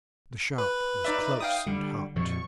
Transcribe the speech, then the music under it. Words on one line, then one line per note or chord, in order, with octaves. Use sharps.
The shop was close and hot.
B4
D#4 D5 E5
F5 G5 D#6
D3 G3
F2 A#2 F3 C#6